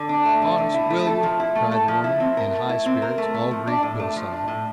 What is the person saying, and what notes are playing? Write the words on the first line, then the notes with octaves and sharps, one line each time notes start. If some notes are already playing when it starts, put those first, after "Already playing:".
"Honest, will you?" cried the woman, in high spirits, all grief put aside.
Already playing: D3
D4
A3
D3
D3
E4
A3
A4
F3
E4
A3
A4
F3
E4
C4
A#4
A3
E4
C4
A#4
A3
A3
F3
D4
A2
A3
F3
D4
A2